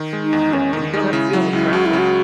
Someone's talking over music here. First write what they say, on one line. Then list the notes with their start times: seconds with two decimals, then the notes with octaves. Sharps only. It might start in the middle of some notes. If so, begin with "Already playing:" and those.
Yeah, and you don't have to deal with traffic,
Already playing: D#3
0.13 G#3
0.23 D#4
0.33 E2
0.53 E2 C#4
0.73 D#3 D#4
0.94 G#3 D#4
1.13 C#3 E4
1.33 F#3 E4
1.53 C#2 E4
1.73 C#2 F#4
1.86 E4
1.93 C#3
1.98 F#4